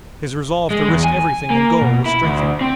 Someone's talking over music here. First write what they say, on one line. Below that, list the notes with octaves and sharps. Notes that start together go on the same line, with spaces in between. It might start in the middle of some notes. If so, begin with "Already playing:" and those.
His resolve to risk everything and go was strengthened.
G#3
E2
G#5
A#3
B2
E4
D2
C4